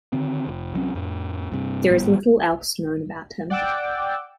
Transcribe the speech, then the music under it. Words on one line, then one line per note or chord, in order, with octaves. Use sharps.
There is little else known about him.
D3 D#3 C4
F1
C2 F#3 C4 C#4
F2 A2
G2 C3
G#1 A2 G3 B3
D5 F#5 G5 D6 E6